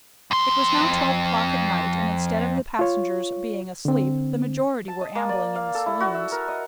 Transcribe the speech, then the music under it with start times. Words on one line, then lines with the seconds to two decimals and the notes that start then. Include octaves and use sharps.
It was now twelve o'clock at night, and instead of the passengers being asleep the majority were ambling in the saloons.
0.31 F2 C6
2.79 F4 C#5
3.85 D3 C4
4.88 A5
5.01 D#5
5.15 A#3
5.29 D5
5.55 F5
5.75 A4
5.86 E4
6.00 F#4
6.14 E5
6.32 A#4
6.48 D#5